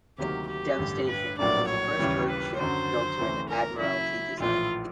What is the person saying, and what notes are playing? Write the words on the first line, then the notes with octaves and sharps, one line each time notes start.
"Devastation" was the first turret ship built to an Admiralty design.
D2 C3 D#3 F#3 A#3 G4
G4
A1 G2 D3
B4
A#1 A2 F#3 A#3 D4 D5
C#5
D#2 C#3 E3 G3
B4
F#2 D3 F#3 C5
D2 C3 E3 A3 C#4
A#4
C#3 F#3 A#3 C#4 E4
A#1 A2 E3 F4